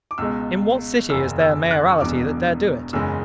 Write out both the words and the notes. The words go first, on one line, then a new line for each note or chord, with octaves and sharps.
In what city is there a mayoralty that dare do it?
D6
C#2 B2 G#3 E6
F#1 E2 C#3 E6
E6
F#6
C#6
E1 E2 B2 D6
F#1 E2 C#3 G#3 E6